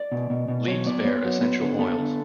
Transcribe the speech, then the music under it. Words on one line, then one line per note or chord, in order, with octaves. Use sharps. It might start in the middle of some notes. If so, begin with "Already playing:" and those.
Leaves bear essential oils.
Already playing: D5
B2
B2
B2
F#3 C#5
B3 D5
B3 C#5
F#3
B3
D3
B3 A4
D3